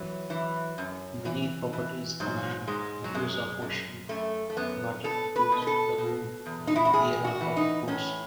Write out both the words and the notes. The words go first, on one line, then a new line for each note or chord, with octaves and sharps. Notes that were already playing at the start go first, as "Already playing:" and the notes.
Many properties command views of the ocean, Batiquitos Lagoon, and Aviara golf course.
Already playing: E3 F#3
E3
F#2
E3
E3
G#2 F#3
G#2 G#3
F#3
F#2 G#3
F#2
F#2 A3
A3
F#2 B3
B2 A4
B4
B2
B4
A4
B2
E2
D#4
E4
F#4
A2 G#4
F#4
E3
D#4
A2 C#4